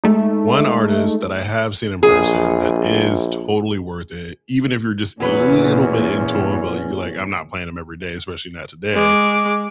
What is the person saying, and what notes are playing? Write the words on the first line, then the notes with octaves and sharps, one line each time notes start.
one artist that I have seen in person that is totally worth it, even if you're just a little bit into him, but you're like, "I'm not playing him every day, especially not today,"
G#3 A3 D#4
A#1 G#4
E2 A#2 F#3 C#4 B4 C#5
G#3 D6